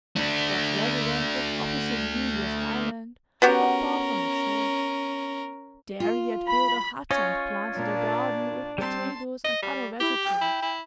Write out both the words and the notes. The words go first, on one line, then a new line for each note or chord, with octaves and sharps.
Scott's residence was opposite New Year's Island not far from the shore; there he had built a hut and planted a garden with potatoes and other vegetables.
A3 D4
B3 C#4 F#4 G4 A#4
F4
B5
C#4 F4 C#5 D#5
A#2 A#3 D4
G3 C4 A5 C6
D#5
G3
E4 G4
G5
E4
E4